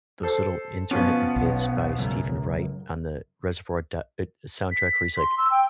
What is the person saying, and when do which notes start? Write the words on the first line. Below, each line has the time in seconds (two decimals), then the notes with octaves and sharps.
those little intermittent bits by Stephen Wright on the Reservoir Do e soundtrack where he's like,
0.23 A4 C5
0.91 B2 F3 B3 C#4
1.36 B1
1.99 C#2 F#2
4.71 B6
5.17 C6
5.38 E6
5.51 G5